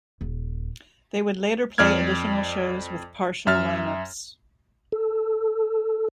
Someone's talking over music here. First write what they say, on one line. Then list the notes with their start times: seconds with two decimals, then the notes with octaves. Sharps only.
They would later play additional shows with partial lineups.
0.21 D#1
1.78 F2 D5 F6 G#6
3.47 F#2 E5 F6 A6
4.92 A4